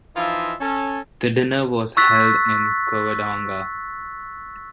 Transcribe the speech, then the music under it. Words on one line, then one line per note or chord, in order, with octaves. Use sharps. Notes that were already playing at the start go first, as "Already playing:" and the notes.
The dinner was held in Covadonga.
E3 F3 D#4 F4 D#5 E5
C#4 A4
C#6 E6 F#6 A6 B6